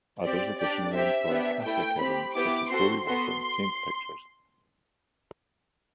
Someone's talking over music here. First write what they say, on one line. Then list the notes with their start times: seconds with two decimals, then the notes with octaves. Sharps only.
Others additionally employ Catholic elements, such as holy water and saint pictures.
0.25 C4 G4 D5
0.60 D4 G4 D5
0.95 C4 G4 E5
1.30 B3 D4 G4
1.65 A3 E4 A4 G5
2.00 C4 G4 B5
2.36 B3 E4 G4 D6
2.70 C4 F#4 A4 C6
3.05 B3 F#4 A4 C6